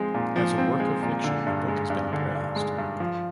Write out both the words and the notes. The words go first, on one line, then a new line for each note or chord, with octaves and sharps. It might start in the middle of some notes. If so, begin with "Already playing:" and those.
As a work of fiction, the book has been praised.
Already playing: F3 G#3 C4
A#2
F3
C4
G#3
A#2
D3
G2
G#3
G2
D3
G2
G#3
G2
F3